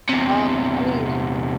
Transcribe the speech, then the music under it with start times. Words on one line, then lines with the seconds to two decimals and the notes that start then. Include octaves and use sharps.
Um, I mean,
0.09 E2 C3